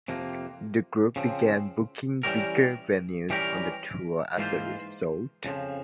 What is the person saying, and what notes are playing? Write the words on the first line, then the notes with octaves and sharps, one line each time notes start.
The group began booking bigger venues on the tour as a result.
F2 C3 F3 A#3
C#3 F3 C4
E3 G3 C#4 G4 A#4
E3 G3 C#4 G4 A#4
G#2 E3 A#3 F4 C5
F2 C#3 F3